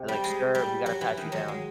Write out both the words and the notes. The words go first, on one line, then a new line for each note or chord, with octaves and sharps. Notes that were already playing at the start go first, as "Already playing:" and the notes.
and, like, "Sir, we gotta pat you down."
Already playing: C3
G3
G#3
G3
F#3
E3
D#3
F#3
G#3